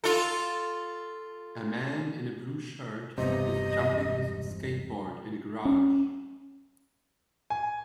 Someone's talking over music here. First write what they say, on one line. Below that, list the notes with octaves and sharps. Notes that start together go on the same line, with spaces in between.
A man in a blue shirt is jumping his skateboard in a garage.
F4 A4
E1 G2 C3 B3 D#5
C#4
G#5